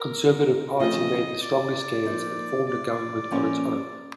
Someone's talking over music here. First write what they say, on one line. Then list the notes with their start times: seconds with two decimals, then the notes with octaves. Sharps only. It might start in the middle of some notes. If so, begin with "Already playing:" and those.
The Conservative Party made the strongest gains and formed a government on its own.
Already playing: A#4
0.79 C#3 F3 A3 C4 F4 D#5
1.43 D5
2.05 F3 A#3 D#4
2.69 D5
3.31 A#2 F3 A#3 C#4